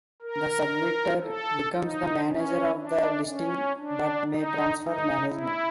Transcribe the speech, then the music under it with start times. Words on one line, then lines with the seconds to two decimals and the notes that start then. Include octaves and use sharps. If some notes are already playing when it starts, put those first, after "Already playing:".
The submitter becomes the manager of the listing but may transfer management.
0.22 A#4
1.23 A4
1.75 D#4
2.25 C#4
2.75 D4
3.27 C#4
3.77 D4
4.28 D#4
4.79 D#4
5.30 E4